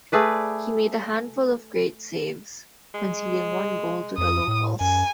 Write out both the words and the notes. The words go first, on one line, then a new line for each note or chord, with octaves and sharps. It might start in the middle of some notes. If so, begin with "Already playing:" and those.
He made a handful of great saves, conceding one goal to the locals.
A3 G#4 B4 D5
G#3
F2 D#6
A2
F#2 G#5